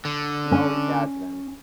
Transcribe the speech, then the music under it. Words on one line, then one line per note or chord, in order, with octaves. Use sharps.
He always has been.
D3
C#4 G#5